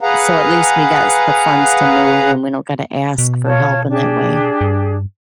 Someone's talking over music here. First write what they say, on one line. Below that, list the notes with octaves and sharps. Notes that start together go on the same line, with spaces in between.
so at least we gots the funds to move and we don't gotta ask for help in that way
G#4 B4 F5 F#5 A#5
B2
F4 C#5 A5
D4 G4 G#4
G2